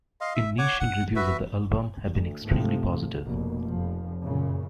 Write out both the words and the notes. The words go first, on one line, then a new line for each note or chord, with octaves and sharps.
Initial reviews of the album have been extremely positive.
D#5 F5 C6
E5
C#5 F#5 C#6 D6
F#5
F#4 B4 E5
D2
G#2 C3 F3 A3
F1 B2 A#3
F1 F3
F#2 A#2 C#3